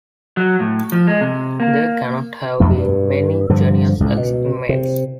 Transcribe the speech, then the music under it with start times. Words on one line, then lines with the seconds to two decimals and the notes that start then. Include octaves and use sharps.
There cannot have been many genuine ex-inmates.
0.37 F#3
0.60 A2
0.92 F3
1.07 G#3
1.21 C3
1.60 A#3
2.60 B1 F2 A3
2.75 G2
3.49 G2 D3 F3
4.00 C#2 A2
4.17 B2
4.69 C3